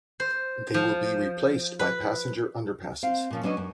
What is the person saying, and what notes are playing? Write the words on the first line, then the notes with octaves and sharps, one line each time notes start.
They will be replaced by passenger underpasses.
C5
F3
B4
C4 F5
A#2 F3 C#4
F#3 C#4 D4 B4 D#5
F#2